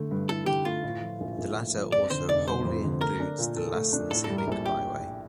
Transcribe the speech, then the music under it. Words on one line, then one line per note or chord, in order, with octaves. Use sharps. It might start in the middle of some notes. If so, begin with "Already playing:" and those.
The latter also wholly includes the Lassen Scenic Byway.
Already playing: D3 A3
G2
E4 A4
D3 G4
A3 F4
A2
F3
A#1
A#1
A2
F3
F2 D5
D3 C5
F1 D5
G3 C5
F2
D3
A3 A#4
D4
A#2
A4
A3
D4
A2 A4
A4
G3
A#4
A#1 A4
G4